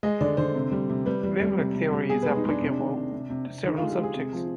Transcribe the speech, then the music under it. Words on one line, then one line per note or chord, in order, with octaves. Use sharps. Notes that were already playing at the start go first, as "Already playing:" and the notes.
Wavelet theory is applicable to several subjects.
G#3 D#5
D3 D5
D3 C5
C3
G3
C3
G3 B4
G3
G3
C3
C3
G3
B2 G#4
G#3 B4
D#4
G#3 D4
C3
D4
D#3
C3
C3
C3
C3
D3 D#4
G#3 F4
G4
G#3 G#4
C3
F3